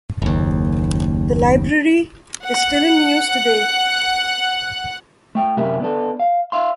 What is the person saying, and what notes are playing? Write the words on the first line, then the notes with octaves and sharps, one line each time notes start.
The library is still in use today.
F#1 D#2
F#5 F#6
A3 G5
F#2 C3 G4 A#4 E5
B3 D4 A4
F5
E5 F5 C6